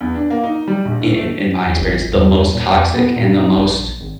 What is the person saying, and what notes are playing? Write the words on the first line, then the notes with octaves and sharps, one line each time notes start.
in in in my experience, the most toxic and the most,
E2
D4
A#3
D#4
G3
A#1
D3
A3
E2
G#1
E2
A#2
F2
B3
A#2
D#4
A#1
G#1